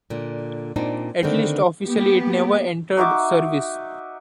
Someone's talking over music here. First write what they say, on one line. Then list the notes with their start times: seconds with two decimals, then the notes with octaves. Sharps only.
At least officially it never entered service.
0.10 A#2 D3
0.76 A#2 C4 D4 D#4
1.23 D3 D#3 A3 B3 C4
1.86 A#3 B3 G4
2.97 D#4 F#4 E5 D6